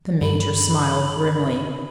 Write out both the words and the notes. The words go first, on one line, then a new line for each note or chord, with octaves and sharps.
The Major smiled grimly.
G2 B5